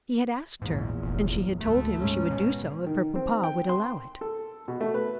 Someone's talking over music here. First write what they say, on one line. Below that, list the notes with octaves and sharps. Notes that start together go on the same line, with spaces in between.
He had asked her and she had told him she would do so if her papa would allow it.
A#1 E2 G#2
F1
D2 G#2 A3
G#2 C#4
B2
D#3
C4
G5
C6
A4
B2
A3
B4